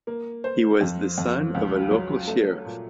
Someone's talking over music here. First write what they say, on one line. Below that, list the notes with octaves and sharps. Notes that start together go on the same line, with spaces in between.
He was the son of a local sheriff.
A#3
C5
F2
F2
C#2
F#3
A3
A#2